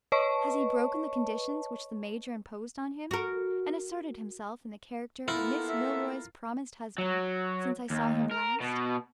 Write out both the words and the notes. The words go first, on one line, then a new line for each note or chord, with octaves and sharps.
Has he broken the conditions which the major imposed on him, and asserted himself in the character of Miss Milroy's promised husband since I saw him last?
B4 C#5 D#5 A5 C#6
F#4 A#4
A#3 B3 E4 F4 A4 A#4 F#5
E5
F#3
D#2
A#4
B2